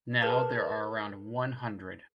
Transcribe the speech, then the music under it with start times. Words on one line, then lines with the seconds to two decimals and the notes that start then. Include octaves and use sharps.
Now there are around one hundred.
0.22 G#4 A#4 B4 A5